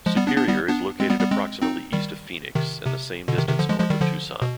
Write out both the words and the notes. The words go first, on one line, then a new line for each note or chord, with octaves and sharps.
Superior is located approximately east of Phoenix and the same distance north of Tucson.
F3 G#3
G3 B3
B3 D4
B3 D4
G3 B3
B3 D4
G#3 C4
G3 B3
G3 B3
G#3 C4
C4 D#4
D#3 G3
C3 D#3
C3
B2 D3
C3 D#3
C3 D#3
D3 F3
F3 G#3
F3 G#3
D#3 G3
D3 F3
B2